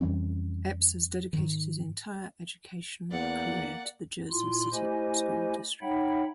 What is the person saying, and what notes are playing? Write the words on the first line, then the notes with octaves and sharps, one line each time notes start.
Epps has dedicated his entire education career to the Jersey City School District.
F2 E3 G3 C#4
G#2 D#3
E2 A#3 D5 F#5
A#2 E4 F4 C6
A3 E4 G4 C5 D#5 G#5
D#4 C#5 E5 F#5 G5 B5